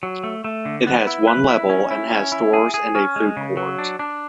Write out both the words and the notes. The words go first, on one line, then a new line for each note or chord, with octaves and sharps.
It has one level and has stores and a food court.
F#3
A3
A3
D3
B3
E4
B4
E4
C#4
E4
C#4
E4
G#4
G#4
C#4
G#3
C#3
F#3
D4
D4